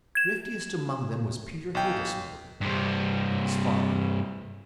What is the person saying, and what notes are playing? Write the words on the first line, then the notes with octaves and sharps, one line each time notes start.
Thriftiest among them was Peter Hildesmuller, Lena's father.
G#6 E7
B1 G5
G2 C3